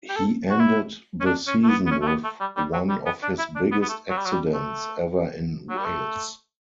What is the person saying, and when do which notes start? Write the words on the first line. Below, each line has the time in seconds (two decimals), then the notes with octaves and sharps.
He ended the season with one of his biggest accidents ever in Wales.
0.09 G4
0.16 A4
0.50 F#4
0.59 E4
1.20 C#4
1.25 D4
1.47 C#4
1.64 A3
1.69 B3
1.86 B3
1.91 C#4
2.01 A3
2.07 B3
2.23 A3
2.40 G3
2.57 G3
2.73 F#3
2.89 G3
3.06 B3
3.22 D4
3.38 E4
3.55 D4
3.71 B3
3.82 B3
3.88 A3
4.10 F#3
4.17 G3
4.25 F#3
4.32 G3
4.54 A3
5.70 F#3
5.77 G3
5.85 A3